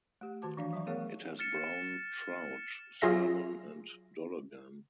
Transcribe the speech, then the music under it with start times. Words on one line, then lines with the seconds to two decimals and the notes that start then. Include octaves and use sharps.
It has brown trout, salmon and dollaghan.
0.21 A3 G4
0.42 D#3 F#4 C5 A5 D6
0.57 E3 F3 D4 D5 F5
0.73 F#3 D5 E5 C#6
0.87 A3 B3 G#4 A#4 C#5 F5
1.39 F6 A6 C#7 E7
3.01 F#3 F4 G#4 E5 A#6